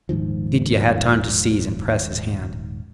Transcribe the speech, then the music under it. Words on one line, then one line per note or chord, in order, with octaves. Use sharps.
Mitya had time to seize and press his hand.
D#1 G#2 D#3 F3